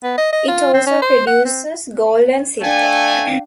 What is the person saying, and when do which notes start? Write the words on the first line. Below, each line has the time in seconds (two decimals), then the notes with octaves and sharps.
It also produces gold and silver.
0.04 B3
0.18 D#5
0.33 D#5
0.48 F4
0.74 C4
0.87 C#4
1.02 C5
1.27 F#5
1.45 C4
2.61 A3 D4 F5 G5 G#5